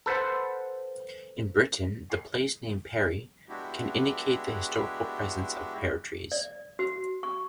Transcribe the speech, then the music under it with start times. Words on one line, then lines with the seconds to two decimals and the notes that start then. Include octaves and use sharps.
In Britain, the place name "Perry" can indicate the historical presence of pear trees.
0.06 A4 B4 C5 F#5
3.49 G#3 B3 D4 E4 F#4 G4
6.32 D5
6.79 F#4
7.23 C#6